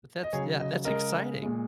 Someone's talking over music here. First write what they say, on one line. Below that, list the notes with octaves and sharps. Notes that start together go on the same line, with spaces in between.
But that's, yeah, that's exciting.
D#5
C#3 F#3 G#4 C#5
D#5
C#3 G#3 A#4 D#5
A#2 G#3